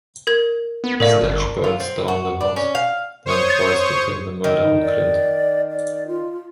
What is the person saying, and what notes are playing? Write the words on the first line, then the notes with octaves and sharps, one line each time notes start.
Sledge burns down the house, then tries to pin the murder on Clint.
A#4 G#6
B3
A2 A#4 D5 F5
G1
F4
C4
F#4
D4
C#4
F5
C5 C#5 C#6 D#6
D#3
D#4
D5
D5
F4